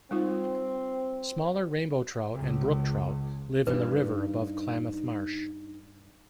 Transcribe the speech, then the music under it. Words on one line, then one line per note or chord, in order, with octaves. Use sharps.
Smaller rainbow trout and brook trout live in the river above Klamath Marsh.
G3 C4 D#4 F4
C#2 C#3
G2 E3 D#4 B4